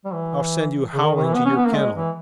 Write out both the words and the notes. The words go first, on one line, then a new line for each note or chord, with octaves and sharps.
I'll send you howling to your kennel!
G3
E3
C#3
D#3
D#3
E3
B3
C#4
B3
A#3
G#3
E3